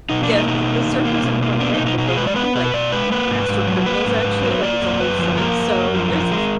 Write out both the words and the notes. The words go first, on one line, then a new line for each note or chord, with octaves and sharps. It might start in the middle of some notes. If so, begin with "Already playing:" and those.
Yes, the surfers in Point Break, but weren't they like like master criminals, actually? Like, it was a whole front. So there's
B2 D#4
D4
A#3
D#4
B2 D#4
A#3
B2
A#3
B2
A#3
B3 D4
D#4
B2
D#4
B2 D#4
G#4
G#3 B4
D5
B3 B4
B2 B4
B2 D5
G#3 B4
A#3 B4
G#2
G#2
F#3
A#3 B4
G#2
G#2
F#3
A#3 D5
F#2
F#2 B4
F3
A#3 A#4
F#2
F#2
F3
F3
G#3